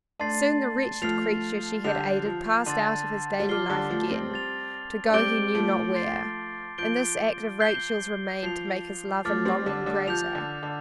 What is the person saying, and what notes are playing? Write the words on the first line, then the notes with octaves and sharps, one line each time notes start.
Soon the wretched creature she had aided passed out of his daily life again to go he knew not where, and this act of Rachel's remained to make his love and longing greater.
A3 D4 A5 C6 A6 C7
F3 A3 F6 C7 F7
D3 G3 G6 C7 F7
F3
D3 A5 C6 A6
G3
F3 D6 F6 C7 G7
D3 G3
F3 A3
A3
G3 C4
C6 A6 F7
D4
G3 C4 D6 G6 D7 G7
F3 A3
C6 A6 C7
F3 G6 D7 G7
G6 C7 G7
F3 G6 C7 F7
F3 A3 D6 F6 A6
G3 C4
D3 G3
D3 G3
F3 G6 F7
D3
D3